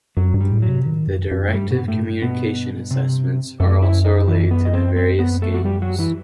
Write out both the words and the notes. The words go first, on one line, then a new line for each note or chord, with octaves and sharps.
The Directive Communication assessments are also related to the various games.
F#2 F#3
G2
G3
A2
F#3
C3
D#3
F#2
F#2
A3
G2 G3
B2 B3
A2 A3
B2 B3
C3 C4
F#2 A3 A4
E4 E5
D#4 D#5
E3 E4
B3 B4
D#5
C4 C5
C4 C5
B3 B4
A3 A4
F#4
G3 G4
F#3 F#4
E3 E4